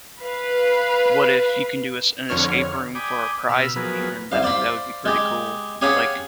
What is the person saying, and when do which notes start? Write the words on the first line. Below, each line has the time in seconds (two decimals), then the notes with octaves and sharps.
what if you can do us an escape room for a prize at the end? I think that would be pretty cool, like,
0.22 B4 F5
2.29 F2 D3 C#5 F6
2.95 D5 G5 G#5 B5 D6 D#6
3.49 B2 B5 E6 F6
3.76 F3 F#3 B3 G#4 A#4 B4
4.32 C2 F5
4.43 C5 D5 F5 B5
5.06 G#3 G4
5.82 G4 G#4 C#5 F5 F#5 B5